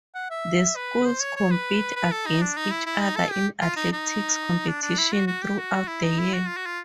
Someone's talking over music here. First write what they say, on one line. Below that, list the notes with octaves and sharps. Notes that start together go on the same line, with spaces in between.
The schools compete against each other in athletic competition throughout the year.
F#5
E5
B4
C5
C#5
C#5
B4
B4
A4
D#4
D4
D#4
E4
E4
D#4
A4
G4
F4
D#4
D#4
D4
D4
E4
F#4
F#4
G4
F#4
E4
D#4
E4
F#4
F4
F#4
F4